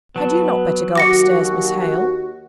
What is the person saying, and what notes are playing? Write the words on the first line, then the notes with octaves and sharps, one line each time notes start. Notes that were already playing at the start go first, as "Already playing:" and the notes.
'Had you not better go upstairs, Miss Hale?'
F#3 B3 A5
D#2 F#4 D6 A#6 C#7